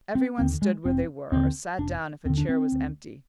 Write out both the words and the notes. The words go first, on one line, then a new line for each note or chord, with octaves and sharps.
Every one stood where they were, or sat down if a chair was empty.
C4
D#2 D3 C4
G#3
F1 C4
D#2 D3 C4
F1 D4
D#2 D3 C4
D4
C4
D2